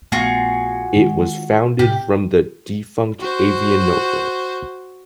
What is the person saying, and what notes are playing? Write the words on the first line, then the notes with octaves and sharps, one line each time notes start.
It was founded from the defunct Avianova.
A#1 A3 B3 F4 F#4 G#4
D#3 G#3
A2 C3 G4
F#4 C5